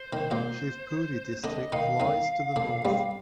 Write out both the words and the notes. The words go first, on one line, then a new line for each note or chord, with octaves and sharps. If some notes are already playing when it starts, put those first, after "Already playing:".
Shivpuri District lies to the north.
Already playing: C5
D#3
A#2 A#3 C5
D3 D4 D#5
D#3 D#4 F5
D#3 D#4 F5
D3 D4
G2 G3